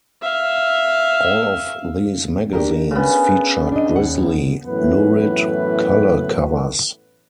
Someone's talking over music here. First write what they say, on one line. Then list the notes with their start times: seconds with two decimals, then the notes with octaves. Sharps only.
All of these magazines featured grisly, lurid color covers.
0.22 E5 F5
2.53 D4 G4 A#4
2.91 C#3 B3
3.72 D4 D#5
3.96 D#2 F#5
4.65 F#2 A2 E3 B3 B4